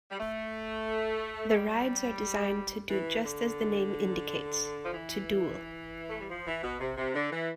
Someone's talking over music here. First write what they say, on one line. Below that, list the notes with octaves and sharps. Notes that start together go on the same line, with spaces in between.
The rides are designed to do just as the name indicates: to duel.
G3
A3
A3
G3
E3
D3
F3
E3
A3
G3
F3
E3
B2
C3
C3
D3
E3